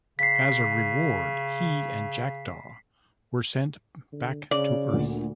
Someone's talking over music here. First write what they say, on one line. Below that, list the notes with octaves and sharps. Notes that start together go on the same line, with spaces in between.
As a reward, he and Jackdaw were sent back to Earth.
C#3 B6 C7
D3
C#3 D5
D2 A#2